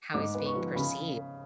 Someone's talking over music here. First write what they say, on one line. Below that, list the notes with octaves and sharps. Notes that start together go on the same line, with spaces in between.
How he's being perceived?
G#2 D6
B3
C#6
F3
C#3 B5